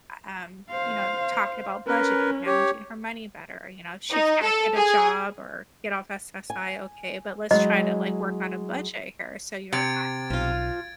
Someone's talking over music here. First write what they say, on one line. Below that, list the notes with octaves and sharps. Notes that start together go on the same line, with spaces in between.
U um, you know, talking about budgeting, managing her money better, uh, you know, if she can't get a job or get off SSI. Okay. But let's try to, like, work on a budget here. So you're not
C5 F5
C#4 A#4 B4
G4 C#5
D#4
A4
G#4
G#5
F#3 G#3 E4 D#5
C3 G#6 A6 D7
B1 F3 F4